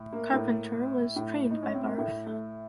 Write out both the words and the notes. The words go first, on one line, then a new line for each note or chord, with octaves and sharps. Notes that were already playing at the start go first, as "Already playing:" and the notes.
Carpenter was trained by Barth.
Already playing: A2
A#3
A2
A2
D#4
C#4
C4
A#3
A2 A3
A3